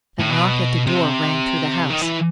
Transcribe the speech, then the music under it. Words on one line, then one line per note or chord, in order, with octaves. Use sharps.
A knock at the door rang through the house.
A2
B2
C3
D#3
E3